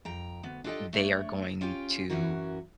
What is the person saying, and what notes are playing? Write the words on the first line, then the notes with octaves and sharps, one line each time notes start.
they are going to,
F2 G5 A#5
D2 B3
D4 F4 G4 A4 D#5 G5
A3 D4 C#5
C#4 F4 G4 G5
F#2 A2 E3 C#4 F#4 A#4